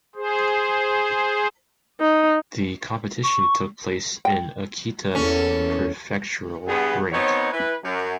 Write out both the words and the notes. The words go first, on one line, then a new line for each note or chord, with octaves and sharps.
The competition took place in Akita Prefectural Rink.
G#4 C5
D#4
C#6
G5
E2 E3 A#3 C#4 A4
G2 B3 G#4
B2 B3 C4 D#4 C#5
E3 B4
F#2